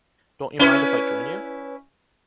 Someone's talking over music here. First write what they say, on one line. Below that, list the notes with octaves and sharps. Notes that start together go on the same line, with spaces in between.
Don't you mind if I join you?
C#4 E4 B4